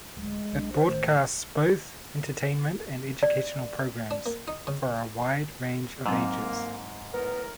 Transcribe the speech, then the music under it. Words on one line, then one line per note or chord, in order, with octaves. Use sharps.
It broadcasts both entertainment and educational programmes, for a wide range of ages.
D1 G#3
B1 D4
C5
A1 D#3 A3
D5
D4
A#3
D#4
C#3
G#2 F#3 A#3 C4
A2 B3 A#4